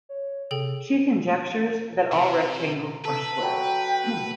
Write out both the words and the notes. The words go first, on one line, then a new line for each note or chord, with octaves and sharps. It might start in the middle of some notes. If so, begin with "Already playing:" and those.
She conjectures that "All rectangles are squares".
C#5
C3 G#4 A4 G5
C3
A#5
A4 B4
F#3 G5 B5